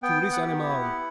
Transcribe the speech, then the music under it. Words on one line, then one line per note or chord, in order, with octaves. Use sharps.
Tu ris, animal?
B3 G5
B3
F#5
G4
E4
B3